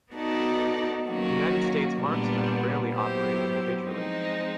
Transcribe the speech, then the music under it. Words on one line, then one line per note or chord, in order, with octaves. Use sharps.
United States marksmen rarely operate individually.
B3 D#4 F#4 A4 D5
D#3 F#3 A#3 C#4 F#4
A#2 G3 B3 D4
F#3 B3 E4 G4 C5
F3 G#3 C4 D#4